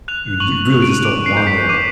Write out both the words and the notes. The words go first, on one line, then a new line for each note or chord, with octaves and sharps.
you d you really just don't wanna
F#6 F7
C#6 F#7
F7
F#6 F7
D7
D#7
D6 D7
C7
G6
B6
D6 D#7